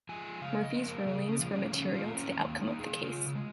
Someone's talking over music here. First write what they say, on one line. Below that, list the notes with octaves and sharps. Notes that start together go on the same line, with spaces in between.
Murphy's rulings were material to the outcome of the case.
F3 G#3 G#5
C#3 F5
D#5
F3 A#3
A#4
C#3 G#4
C#4
F3 A#3
C#4
D#3 C#4
F4
A#3
C#4
D#3 A#3
D#4
A#3
G#4
C#3 F4
G#3